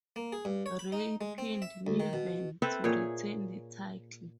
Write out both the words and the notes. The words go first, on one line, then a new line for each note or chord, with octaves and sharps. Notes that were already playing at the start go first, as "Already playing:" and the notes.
Ray pinned Niven to retain the title.
A#3
G#4
G2
C#5
B5
D#4
G#3
C4
E5
D2
D#3
B2
C4 A4 B4 E5
A#2 G#4 C#5